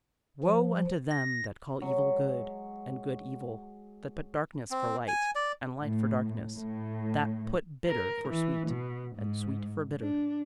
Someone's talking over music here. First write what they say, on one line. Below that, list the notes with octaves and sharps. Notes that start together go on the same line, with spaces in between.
Woe unto them that call evil good, and good evil; that put darkness for light, and light for darkness; that put bitter for sweet, and sweet for bitter!
F3
A#6
F#3 G#3
C4
G#5
D5
A2
A2
A#4
E3
B2
G#2
D4